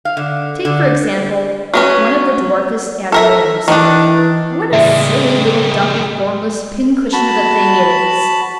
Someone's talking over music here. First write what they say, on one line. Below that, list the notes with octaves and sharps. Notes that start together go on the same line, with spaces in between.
Take, for example, one of the dwarfest Ageratums: what a silly little dumpy, formless, pincushion of a thing it is!
F5
D3
D3
F#3 B3 C#4
A4 A#4 E5
D#3 E3 D4
A2 C#3 G3 G#3 A#3 E5
F#4 A5 B5